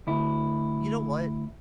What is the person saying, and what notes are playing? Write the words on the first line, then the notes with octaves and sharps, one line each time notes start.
"You know what?
D2 E4